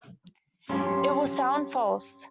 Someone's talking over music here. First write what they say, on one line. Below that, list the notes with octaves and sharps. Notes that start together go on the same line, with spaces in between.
It will sound false.
G2 F3 F#3 C#4 G4 C6